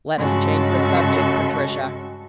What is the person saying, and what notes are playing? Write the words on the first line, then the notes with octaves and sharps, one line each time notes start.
"Let us change the subject, Patricia."
G2 C#3 G#3 F#4 A4 C#6